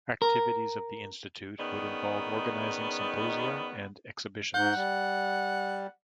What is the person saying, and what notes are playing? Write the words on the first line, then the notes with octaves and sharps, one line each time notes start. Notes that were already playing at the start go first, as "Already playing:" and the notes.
Activities of the institute would involve organising symposia and exhibitions.
A#4
D#3 B3 C#4 D#4 G#4 D5
G#2 F#5 G6
G3